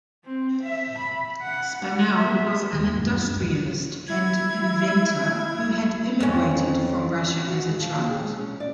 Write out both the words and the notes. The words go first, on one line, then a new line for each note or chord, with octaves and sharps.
Spanel was an industrialist and inventor who had immigrated from Russia as a child.
C4
E5
B5
F#5
F#5
E5
D#2 D#3
F#2 A#2
G2
E1 A#1 A#2 D#3
E4 G#6
F2 C#4
F#4
G#3
F3
D#2
G#4
G#3
C#4
D5